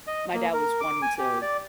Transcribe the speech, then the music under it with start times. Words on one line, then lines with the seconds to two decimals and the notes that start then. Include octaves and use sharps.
my dad was one to
0.07 D#5
0.34 A#3
0.53 A#4
0.81 D6
1.02 G#5
1.18 G4
1.42 D5